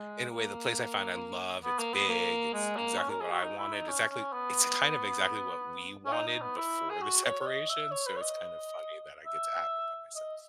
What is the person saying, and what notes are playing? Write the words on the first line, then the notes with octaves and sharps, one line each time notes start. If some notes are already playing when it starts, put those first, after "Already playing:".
in a way, the place I find I love, it's big, it's exactly what I wanted, exactly It's kind of exactly what we wanted before the separation, so it's kind of funny that I get to have it by myself.
Already playing: G#3
A#3
B3
A#3
B3
A#3
G#3
A#3
C#4
A#4
G#4
F#4
D#4
E4
D#4
C#4
C#4
B3
C#4
D#4
D#4
B3
E4
G#4
F#4
C#5
C#5
D#5
E5
C#5
B4
C#5
D#5
E5
D#5